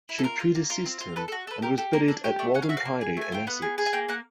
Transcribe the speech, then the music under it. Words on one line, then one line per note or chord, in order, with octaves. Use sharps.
She predeceased him, and was buried at Walden Priory in Essex.
E4
A4
F4 A#4
F4
A#3
F4 A#4
C4
F4
A4 B4
A4
F#4
A4 B4
G4 A#4
G4 A4
A#3 A#4
D4 A4
G4 C#5
A3 D5
C#4 F#5
F5
F#4 E5
F5
A#3
G#4
A3 G#5
F4 G5
B3 F#5
G#4
G#4
G#5
A#3 G5
A#3 F#5